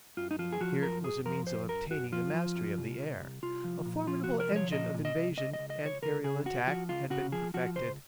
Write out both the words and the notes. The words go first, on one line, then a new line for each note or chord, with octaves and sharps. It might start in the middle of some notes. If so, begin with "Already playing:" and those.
Here was a means of obtaining the mastery of the air: a formidable engine of invasion and aerial attack had been perfected.
F#2 F4
D#4
F3 F4
G#4
F3 F#4
F#2 A#4
F#2 G#4
F3 A#4
F#2 C5
F#2 A#4
F#2 F#4
F3 F4
F3
F#2
C2
C2
C2
C2 F4
F3
A#2
F3 F4
C2 F#4
A#4
F3
C#5
A#2 D#5
A#2
D#5
C2
C#2 D#5
D#5
C#2
D#5
C#2
C#5
C#2 A#4
C#3 G#4
C#2 F#4
F3 F#4
C#2 F4
C#3 F#4
F3 G#4
F3 F#4
C#2 C5